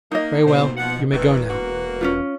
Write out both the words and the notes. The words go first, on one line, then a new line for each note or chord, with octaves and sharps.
"Very well, you may go now."
A#3 D#4 D#5
B2 A3 A#3 C4 C5
F3 F#5
E1 D#3 E3 B4
A#3 F#4
C#4 D4 F4